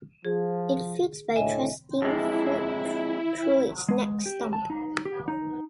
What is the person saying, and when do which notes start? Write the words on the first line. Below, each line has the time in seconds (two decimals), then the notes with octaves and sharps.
It feeds by thrusting food through its neck stump.
0.25 F3 G#4
1.36 D2 A2 D#5 E5 G#5
2.02 F2 G#3 E4
3.89 G#3
4.26 G4
4.53 A5
4.70 D#4
5.05 G4
5.28 D#4